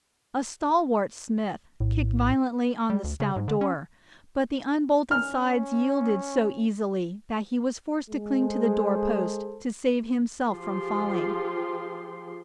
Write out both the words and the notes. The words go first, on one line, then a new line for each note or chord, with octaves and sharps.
A stalwart smith kicked violently on the stout door; but the unbolted sides yielded so easily that he was forced to cling to the door-post to save himself from falling.
A#1 A2
G3
D2
C#3
G#2
D3
C#4
C#4 F6
G#3
G#4 A4 C5
F3 F4 G4 G#4 C6